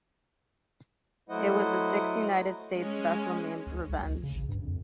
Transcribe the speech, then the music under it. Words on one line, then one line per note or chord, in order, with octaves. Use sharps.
It was the sixth United States vessel named "Revenge".
F#3 A3 E4 C5 D#5 F#5
G#3 C#4
D2
C2
D2
C#3
A1
G2
F2